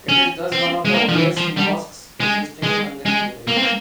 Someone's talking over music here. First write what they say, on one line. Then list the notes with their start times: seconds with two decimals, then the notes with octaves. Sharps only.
It is thus one of the oldest mosques existing in Hungary today.
0.09 C#4
0.52 C4
0.85 G#3
0.95 A#3
1.09 F3
1.16 E3
1.37 F3
1.57 G3
2.21 G#3
2.63 G#3
3.06 G#3
3.47 A#3
3.56 C4
3.62 A#3